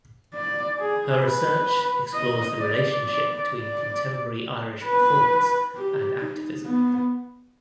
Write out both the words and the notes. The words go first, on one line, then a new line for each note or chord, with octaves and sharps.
Her research explores the relationship between contemporary Irish performance and activism.
D5
G#4
B4
D#5
D5
D5
D5
B4
G4
D#4
B3